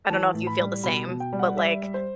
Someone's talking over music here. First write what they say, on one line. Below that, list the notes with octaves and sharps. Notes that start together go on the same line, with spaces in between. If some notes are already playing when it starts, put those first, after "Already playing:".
I don't know if you feel the same, but, like,
E3 A5
A2
B5
G3
B2 B5
B2
G5
G3
F#5
G3 E5
G3
C5